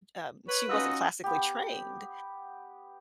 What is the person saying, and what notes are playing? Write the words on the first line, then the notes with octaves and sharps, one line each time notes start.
um she wasn't classically trained,
B4 C#5
C#4 D#4 F4 F#4 D#6 E6
B3 G4